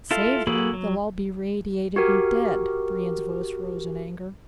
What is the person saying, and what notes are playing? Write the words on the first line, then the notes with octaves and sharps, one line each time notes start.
"Save them--they'd all be radiated and dead!" Brion's voice rose in anger.
E4 F4 A4 F5
A#3 F#4 G#4 A4 B5
F#3
F#4 G4 A#4